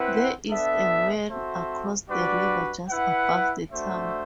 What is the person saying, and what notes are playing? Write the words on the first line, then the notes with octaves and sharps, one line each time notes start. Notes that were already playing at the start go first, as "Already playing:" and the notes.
There is a weir across the river just above the town.
Already playing: C4 E4 B4 F#5
B3 D4 A4 E5
C4 F#4 A4 C5 E5
G3 D4 F#4 B4 D5
E4 B4 F#5
A3 D4 F#4 C5 E5